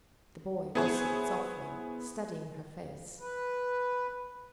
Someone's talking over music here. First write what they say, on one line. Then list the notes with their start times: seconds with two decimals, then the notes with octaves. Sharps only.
The boy whistled softly, studying her face.
0.75 B3 E4 G#4 C5 C#5
3.18 B4